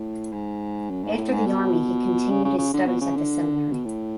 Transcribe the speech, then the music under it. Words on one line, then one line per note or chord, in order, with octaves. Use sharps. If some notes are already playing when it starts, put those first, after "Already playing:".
After the army he continued his studies at the seminary.
Already playing: A2
G#2
F#2
G#2
A2
G#2
B2
C#3
C#3
C#3
D3
B2
C#3
D3
B2
A2